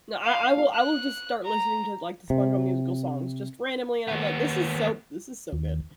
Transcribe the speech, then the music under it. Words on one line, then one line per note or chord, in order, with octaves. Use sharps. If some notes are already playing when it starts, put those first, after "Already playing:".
No, I I will I will just start listening to, like, the SpongeBob Musical songs, just randomly, and I'm like, "This is so this is so good.
F5
F#6
A#5
C3
D#2 B3
D#2